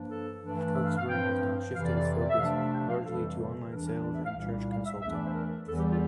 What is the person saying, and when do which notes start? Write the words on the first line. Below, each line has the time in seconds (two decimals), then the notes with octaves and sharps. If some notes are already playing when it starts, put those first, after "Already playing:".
Cokesbury has now shifted its focus largely to online sales and church consulting.
Already playing: G2 F3 A#3 D4
0.10 A4
0.43 G2 E3 A3 D4
0.75 E5
0.86 F5
0.97 F5
1.08 G2 F3 C4 G5
1.73 F2 C3 E3 F5
1.84 D5
1.96 D5
2.19 D5
2.29 E5
2.39 C3 F3 A3 D4 F5
2.56 F5
2.72 G5
2.89 F5
3.04 F2 C3 E3 G3 A4
3.70 E2 E3 G3 D4 A#4
3.87 A#4
4.03 D5
4.14 E5
4.25 F5
4.36 C2 A#2 G3
4.69 F5
4.85 E5
5.01 E2 E3 A3 D4 E5
5.12 D5
5.24 C5
5.34 A#4
5.67 E2 E3 G3 A4
5.78 G4
5.90 F4